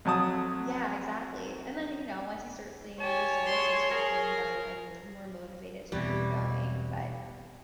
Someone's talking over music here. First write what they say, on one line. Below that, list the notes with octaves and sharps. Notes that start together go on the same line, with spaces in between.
Yeah, exactly. And then, you know, once you start seeing the results or you start feeling better, then you're more motivated to keep going, but
F2 F#3 A5 D#6
G4 C#5 G#5 A5
G#3 C6
G#4 A#4
E1 E2 B2 E3 G3 C4